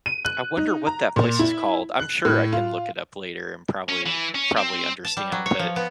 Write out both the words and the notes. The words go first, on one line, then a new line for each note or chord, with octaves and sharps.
I wonder what that place is called, I'm sure I can look it up later and probably probably understand, but,
D#7
F#6
D#4
A#5
A#2
E4
F#6
A2
F4
C#4
E3
C#4
C4
A5
G3
F#3
C#5
F3
B3